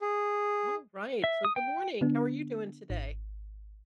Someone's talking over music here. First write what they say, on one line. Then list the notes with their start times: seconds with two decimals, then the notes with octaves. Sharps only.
Alright, so good morning, how are you doing today?
0.01 G#4
1.24 E5
1.45 D#6
1.56 G5
2.01 D3 B3 D4
2.90 G#1